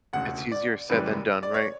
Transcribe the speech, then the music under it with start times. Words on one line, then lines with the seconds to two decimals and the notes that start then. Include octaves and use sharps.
It's easier said than done, right?
0.13 E1 D2 C#3 F#5
0.52 D5
0.90 F#1 F#2 C#3 E3 G3 B4
1.43 D5
1.54 C#5